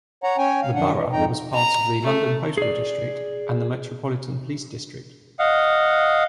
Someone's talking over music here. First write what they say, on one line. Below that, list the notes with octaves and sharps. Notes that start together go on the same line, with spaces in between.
The borough was part of the London postal district and Metropolitan Police District.
C#5 F#5 A#5
C#4 C#5 G5 G#5
F5
F#2 D#3 D4 F#5
E3
F2 G#2 D#4 G5 A#5
A#5
A3
G#4 D5
D#5 F5 F#5